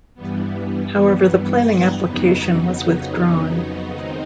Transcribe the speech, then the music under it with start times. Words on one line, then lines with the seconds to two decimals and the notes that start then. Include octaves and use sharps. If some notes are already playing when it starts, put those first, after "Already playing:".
However, the planning application was withdrawn.
0.14 G2 E3 G3 B3
2.03 F2 C#3 F#3 B3 D#4
3.92 D#3 G#3 C4 D#4